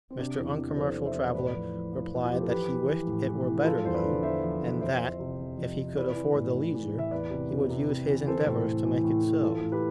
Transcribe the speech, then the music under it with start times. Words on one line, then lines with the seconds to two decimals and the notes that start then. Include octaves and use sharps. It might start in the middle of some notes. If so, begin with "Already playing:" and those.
Mr. Uncommercial Traveller replied that he wished it were better known, and that, if he could afford the leisure, he would use his endeavours to make it so.
0.10 C4
0.18 C3 D4
0.38 E2
0.47 D4
0.58 E2
0.72 D5
0.76 F3 A4 C5
0.96 F3
1.05 C5 E5
1.15 E2
1.34 A2 B4 D5
1.53 F3
1.73 F3
1.92 F3
2.11 F3
2.23 F4
2.30 F3 G4
2.41 A4
2.49 E3 G4 B4
2.69 E3
2.89 E3
3.07 A2
3.26 E3
3.46 E3
3.57 B4
3.65 F3 F4 A4
3.84 E2 C5
3.94 B4 D5
4.03 D3
4.23 E2 C5 E5
4.42 F3
4.62 E2
4.81 F2 C5 E5
5.00 F2
5.20 C3
5.39 F2
5.57 F2
5.77 C3
5.96 E3 B4 D5
6.15 E3
6.35 A2
6.54 A2
6.74 E3
6.92 A2
6.98 E5
7.11 E2 B4 D5
7.30 C3
7.50 C3
7.70 C3
7.89 C3
8.08 E3
8.27 E3 A4 C5
8.46 A2
8.66 A2
8.84 E3
9.04 A2
9.23 E3
9.42 E3 F4 A4
9.62 A2
9.72 G4 B4